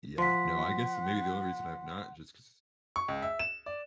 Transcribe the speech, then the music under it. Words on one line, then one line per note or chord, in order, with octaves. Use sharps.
Yeah, no, I guess maybe the only reason I've not, just 'cause,
F3 F#5 C6 B6
C#6
C#2
E5
E7
D5